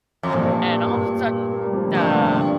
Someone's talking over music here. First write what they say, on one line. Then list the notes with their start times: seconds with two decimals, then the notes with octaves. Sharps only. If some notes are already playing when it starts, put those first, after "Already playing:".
And all of a sudden, the
0.23 F2
0.33 G2 A#2
0.87 A#2
1.51 A#3
1.63 G3
1.73 F3
1.85 D3
1.94 G2 C3
2.14 C3
2.22 D3